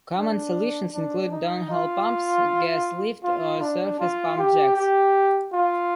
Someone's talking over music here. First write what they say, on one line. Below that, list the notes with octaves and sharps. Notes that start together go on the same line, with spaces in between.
Common solutions include downhole pumps, gas lift, or surface pump jacks.
D4
D4
D#4
F4
F4
D4
F4
G4
G4
F4